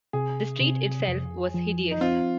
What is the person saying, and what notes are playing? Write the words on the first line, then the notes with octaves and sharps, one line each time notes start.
The street itself was hideous.
C3 G#4
C3
F2
F3
D#4
C4 F4